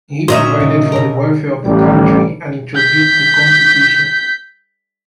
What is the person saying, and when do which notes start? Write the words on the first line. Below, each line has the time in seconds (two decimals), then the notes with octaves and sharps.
He provided for the welfare of the country and introduced the constitution.
0.28 A#2 D#3 F#3 C#4 F#4 D#5 E5
0.60 C#3
0.92 B2 A#4
1.65 A1 G3
2.75 G6 B6